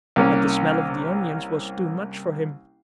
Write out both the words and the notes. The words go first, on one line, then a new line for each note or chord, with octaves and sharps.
But the smell of the onions was too much for him!
C2 A#3 C#4